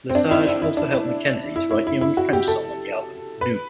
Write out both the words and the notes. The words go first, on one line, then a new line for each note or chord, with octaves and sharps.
Lesage also helped McKenzie to write the only French song of the album, "Nous".
C4
D4
E4
E4
E4
D4
E4
E4
E4
E4
E4
F#4
G4
A4
B4